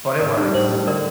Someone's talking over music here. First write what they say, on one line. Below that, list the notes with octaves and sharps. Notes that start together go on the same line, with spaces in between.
but it works.
A2 A#4 D5
G3 D4
A2 C5
G3 D4
D3 A#4 D5